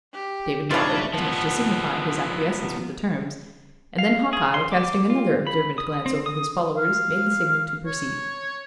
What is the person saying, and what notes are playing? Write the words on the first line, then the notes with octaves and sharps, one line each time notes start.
David nodded, as much to signify his acquiescence with the terms; and then Hawkeye, casting another observant glance over his followers made the signal to proceed.
G4
C#3 D4 D#4 F4 B4 C#5 E5
F3 B3
F5
G#4
C6
D6
F4
B5
D#6
C4
D#6
F5
C#5